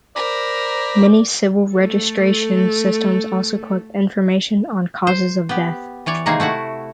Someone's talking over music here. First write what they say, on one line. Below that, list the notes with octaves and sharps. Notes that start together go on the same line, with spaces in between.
Many civil registration systems also collect information on causes of death.
A#4 C5 D5 A#5 B5
A3 A4
C5
B3 G4
E3 C#5 D5
C3 D#3 G#3 A#3 D#4 G#4
A3 E4 F#4 F#5